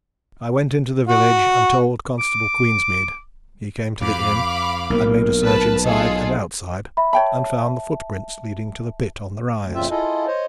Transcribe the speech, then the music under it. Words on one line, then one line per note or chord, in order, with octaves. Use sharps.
I went into the village and told Constable Queensmead. He came to the inn, and made a search inside and outside and found the footprints leading to the pit on the rise.
F#4
D6
F2 F5 B5 D6
B1 A#3 A#4
B4 A5
F4 G#4 A4 D#5
E5 B5
C#5 E5 G5 A5 B5
D2
F2 A#2 C#3 C4 F4 E5
E4 F4 G#4 A4 D#5
C5 C#5 D#5